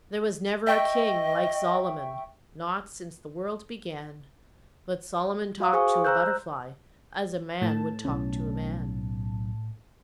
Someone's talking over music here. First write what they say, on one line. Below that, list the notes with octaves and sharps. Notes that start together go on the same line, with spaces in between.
There was never a King like Solomon, Not since the world began; But Solomon talked to a butterfly As a man would talk to a man.
D#5 E5 G5 C#6
F#4 F5 D#6
G#4 C5 F5 G#5 C#6
C5 A#5 E6 F#6 G6
A2 A5
B1 C#4